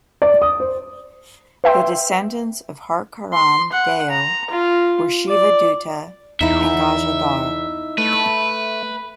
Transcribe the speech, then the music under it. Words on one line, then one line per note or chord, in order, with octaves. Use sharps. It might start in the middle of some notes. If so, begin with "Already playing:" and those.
The descendants of Harkaran Deo were Shivadutta and Gajadhar.
D5
D#6
C5
B4 E5 G5 C6
C6
F#5
A#5
F4
D5
E2 D#4 E4 E5
A3 B4